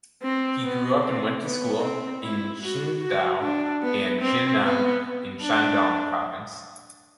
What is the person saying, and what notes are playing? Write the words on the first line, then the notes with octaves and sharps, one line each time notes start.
He grew up and went to school in Qingdao and Jinan in Shandong province.
C4
B3
C4
B3
C4
E4
F#4
F#4
D4
B3
C4
B3
D4